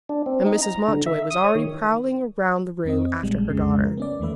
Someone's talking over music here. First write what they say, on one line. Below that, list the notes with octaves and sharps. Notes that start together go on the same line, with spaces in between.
And Mrs. Mountjoy was already prowling round the room after her daughter.
D4
C4
D#4
A#5
D3
E5
D#6
C#5
D#3
F2 C4 D#5
A#1 G3 G#3
B1 F2 C#3 G#3
A#4
B3 C#4 D5
E2 D#3 A3 B4 E5